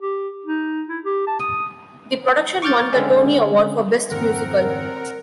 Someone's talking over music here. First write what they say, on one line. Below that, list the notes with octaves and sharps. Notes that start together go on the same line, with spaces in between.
The production won the Tony Award for Best Musical.
G4
D#4
E4
G4
A5
D#6
C#6 D6 F6 G6 A6
D3 G#3 C4 C#4
F2 G#2 D#3 C4 A#4 F#5